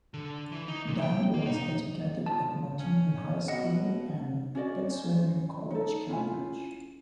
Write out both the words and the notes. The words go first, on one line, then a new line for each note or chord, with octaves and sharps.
Dann was educated at Nottingham High School and Fitzwilliam College, Cambridge.
D3
E3
D#4
A#2
G5
A#3
D#4
F3 A5
C#4
B2 D#5 F#5
C#4 F#4 D5 D#5
C#4 C5
D#4 A4
C#4 E4 F4 G#5